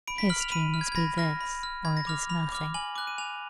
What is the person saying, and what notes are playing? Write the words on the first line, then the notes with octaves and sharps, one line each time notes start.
History must be this or it is nothing.
B5 D7
B6
F6 F#7
F7
B5 D#7
F6
G#6
G#6
B5 A#6
F6 A#6
B5
F6
B5 G#6
A#6
D6 F6 F7
B5 F7
D6 F6
G#5 F#7
D6 F#6
D#7
G#5 F7